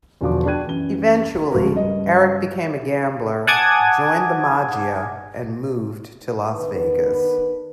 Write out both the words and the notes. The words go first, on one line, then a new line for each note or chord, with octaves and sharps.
Eventually Eric became a gambler, joined the Maggia and moved to Las Vegas.
E2 B2 D3 F3 F#4 D6
D4 F#4 G5 F#6 G#6 D#7
F#2 E3 G7
D1 G#2 F3 F#3 F#4 A#4
G2 C#3 D#5
F#5 G#5 A5 D6 D#6 G#6
D#3 B3 D4 B4